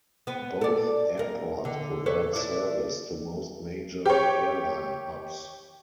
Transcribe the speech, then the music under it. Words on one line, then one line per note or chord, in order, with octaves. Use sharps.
Both airports provide service to most major airline hubs.
B3 B4
A4 D5
D#2 A#4
D3
A4 B4 C#5
D4 E4 D5
G4 C#5